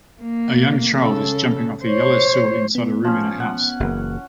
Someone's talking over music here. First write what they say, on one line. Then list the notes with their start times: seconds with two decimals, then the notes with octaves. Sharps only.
A young child is jumping off a yellow stool inside a room in a house.
0.22 A#3
0.96 C#3 A4
1.85 C5 C#5
2.75 B3
3.05 F3 C#4
3.40 F#5
3.80 F#1 E3 A#3